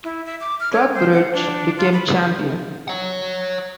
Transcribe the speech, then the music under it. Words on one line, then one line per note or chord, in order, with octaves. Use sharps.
Club Brugge became champion.
E4
E5
D6
F6
C#5
C5
F#5
D4
F4
B5
C#5 F#5